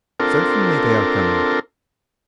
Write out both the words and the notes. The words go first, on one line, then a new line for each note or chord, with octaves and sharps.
Certainly, they are coming.
C4 D4 F4 A4 A#4